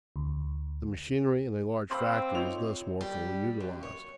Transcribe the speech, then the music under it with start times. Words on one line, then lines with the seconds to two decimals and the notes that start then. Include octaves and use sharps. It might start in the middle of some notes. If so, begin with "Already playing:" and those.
The machinery in a large factory is thus more fully utilized.
0.16 D2
1.91 C4 F5 B5 C6 D6 E6
2.34 D#4 F4 C#5 F7
3.01 G3
3.60 F#2
3.83 C#5